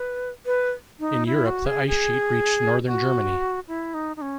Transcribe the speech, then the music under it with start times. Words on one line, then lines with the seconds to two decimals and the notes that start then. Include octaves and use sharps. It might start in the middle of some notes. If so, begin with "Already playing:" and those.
In Europe, the ice sheet reached northern Germany.
Already playing: B4
0.46 B4
1.00 D#4
1.26 E4
1.46 F#4
1.66 G#4
1.87 G#4
2.87 F#4
3.68 E4
3.94 D#4
4.17 D#4
4.22 C#4